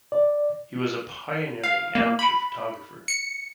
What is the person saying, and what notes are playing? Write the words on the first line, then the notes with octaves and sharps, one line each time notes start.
He was a pioneering amateur photographer.
D5
F5
A#3
B5
C#7